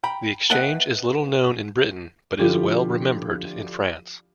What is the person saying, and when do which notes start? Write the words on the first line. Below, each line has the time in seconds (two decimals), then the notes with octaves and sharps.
The exchange is little known in Britain, but is well remembered in France.
0.04 G5 A#5 B5
0.50 B4 D#5 E5 F#5 G5 A5
2.39 D3 F3 E4 F4 G4 A4